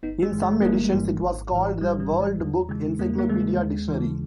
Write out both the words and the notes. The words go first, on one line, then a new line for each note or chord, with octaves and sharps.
In some editions it was called the "World Book Encyclopedia Dictionary".
G1 B3 D#4
G#3
G2 E3
G#3
G1 G3 A#3
G2 E3
G#1
G#2 E3
G#1 G3
G3
G#2 E3
G#3
E2 G3
C#3 E3 G#3
E2 G3 A#3
A#3
C#3 E3 G#3
D#2
C#3 E3